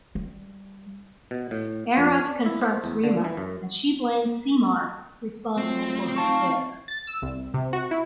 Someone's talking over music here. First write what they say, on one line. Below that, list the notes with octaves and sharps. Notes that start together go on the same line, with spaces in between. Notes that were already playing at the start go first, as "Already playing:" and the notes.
Aarav confronts Reema and she blames Simar responsible for her stare.
G3
B2
A2
F2
D4
E4
C5
E2
D3
E3
F#2
F#3 A3 C4 F4
D#4 F5 A5 C#6
A6
E6
C2
C3
F#4
E4